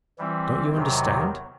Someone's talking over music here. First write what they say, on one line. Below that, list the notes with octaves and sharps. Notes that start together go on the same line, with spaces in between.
Don't you understand?
E3 G3 C4 E4
E2 C3 D#3 F#3